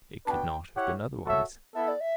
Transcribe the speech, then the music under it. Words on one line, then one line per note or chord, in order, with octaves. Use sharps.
It could not have been otherwise.
B3 D4 F#4 B4 G5 A5
E4 G4 C#5 F#5
F#4 A4 C#5 E5
B3 E4 A4 E5
D5
E5